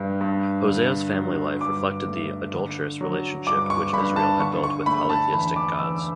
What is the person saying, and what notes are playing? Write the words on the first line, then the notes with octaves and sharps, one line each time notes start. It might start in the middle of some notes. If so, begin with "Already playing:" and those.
Hosea's family life reflected the "adulterous" relationship which Israel had built with polytheistic gods.
Already playing: G2 G3
G2
D3
F#3
G2 D6
A3
D3
F#3
G2 D6
C#6
G2 B5
A5
D3 C#6
C#6
A3 B5
A5
E2 B5
D6
E2 E6